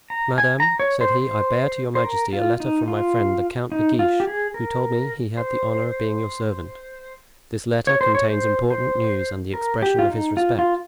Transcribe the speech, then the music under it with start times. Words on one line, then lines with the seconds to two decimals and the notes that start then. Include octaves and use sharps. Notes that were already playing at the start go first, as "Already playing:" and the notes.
"Madame," said he, "I bear to your majesty a letter from my friend the Count de Guiche, who told me he had the honor of being your servant; this letter contains important news and the expression of his respect."
0.10 A#5
0.38 G#5
0.60 A#5
0.80 C#5
1.01 C5
1.21 C5
1.95 C5
2.04 A#4
2.33 F4
2.60 D#4
2.88 F4
3.72 D#4
3.99 F4
4.20 G4
4.27 G#4
4.54 A#4
5.37 C5
7.87 C#5
8.01 C5
8.15 C#5
8.30 C5
8.70 C5
9.54 A#4
9.83 G4
9.99 F4
10.10 D#4
10.37 F4
10.59 F4